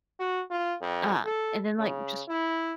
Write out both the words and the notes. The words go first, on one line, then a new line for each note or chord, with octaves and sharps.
Uh, and then, like, just
F#4
F4
F2
A4
C#3
E4